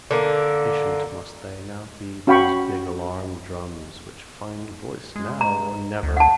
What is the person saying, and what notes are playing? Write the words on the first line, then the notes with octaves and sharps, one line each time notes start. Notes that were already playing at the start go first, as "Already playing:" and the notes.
Impatient must they now be, those big alarm-drums, which find a voice now or never!
D3 A#3
C#4 F#4 F5 G5 B5 C#6
G#3
A#5
D2
F#5 A5